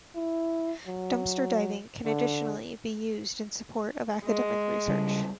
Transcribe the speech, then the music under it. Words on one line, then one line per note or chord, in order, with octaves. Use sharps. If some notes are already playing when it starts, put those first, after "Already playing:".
Dumpster diving can additionally be used in support of academic research.
E4
F#3
D3
G#3
C#3 G3